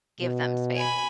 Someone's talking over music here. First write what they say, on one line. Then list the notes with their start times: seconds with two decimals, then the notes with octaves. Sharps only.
Give them space.
0.21 B2
0.77 G#5 B5